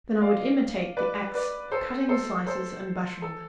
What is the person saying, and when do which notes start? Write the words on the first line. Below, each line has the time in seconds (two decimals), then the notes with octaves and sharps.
Then I would imitate the acts of cutting the slices and buttering them.
0.21 D5 F5
0.97 B4 D5
1.34 B4 D5
1.72 A4 C5
2.09 A4 C5
2.47 A4 C5
3.22 A4